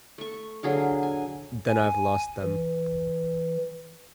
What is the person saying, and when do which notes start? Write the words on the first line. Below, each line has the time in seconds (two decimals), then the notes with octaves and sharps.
Then I’ve lost them.
0.18 A3 C#6
0.63 D3 F#3 G#4 F5
1.03 G#5
1.68 G#5
2.42 E3